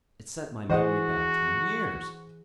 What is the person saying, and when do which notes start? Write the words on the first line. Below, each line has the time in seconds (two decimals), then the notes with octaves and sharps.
It sent my memory back ten years.
0.70 E3 F#4 G#4 C5 D#5 F#5